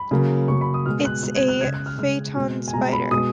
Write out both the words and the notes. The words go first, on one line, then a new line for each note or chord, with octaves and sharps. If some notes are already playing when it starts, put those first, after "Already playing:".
It's a Phaeton Spider.
Already playing: B5
C#3 F#3 A#3
C#3 F#3 A#3 C#6
B5
D#6
B2 G#3 F6
F#6
B2 G#3 F#6
G#6
F#6
C#3 G#3 G#6
F#6
F6
C#3 G#3 F6
B2 G#3
G#5
B2 G#3 A#5
B5
B2 G#3 D#6